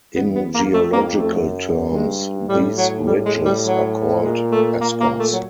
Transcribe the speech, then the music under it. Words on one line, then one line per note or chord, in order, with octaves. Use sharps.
In geological terms, these ridges are called eskers.
E2 B3
B3
A#3
F2 A3
A#3
A3
F#2
G2 G#3
A2 G3
F#3
G3
G#3
G3
F#3
A#2 G#3
A3
A#2 A#3
A#3
A3
F#3